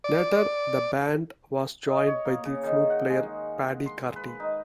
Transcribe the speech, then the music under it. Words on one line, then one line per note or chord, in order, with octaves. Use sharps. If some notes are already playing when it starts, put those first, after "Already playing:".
Later the band was joined by the flute player Paddy Carty.
D5
D#5
C#5
A#3
C#3
D#3
F#5
G#3
C6
B4
D#4